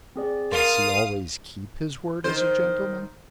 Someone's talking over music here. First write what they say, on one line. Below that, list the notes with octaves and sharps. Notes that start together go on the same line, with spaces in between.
"Does he always keep his word as a gentleman?"
C4 G#4 D5
A#4 F5 C6 D#6 A6
D#3 C5